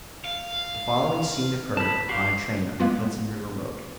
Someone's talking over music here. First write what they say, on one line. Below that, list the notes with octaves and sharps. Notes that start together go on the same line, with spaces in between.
The following scene occurred upon a train on the Hudson River road.
F5
A5 B5
F#4 G4 F5 C7
G#3 A#3 B3 F4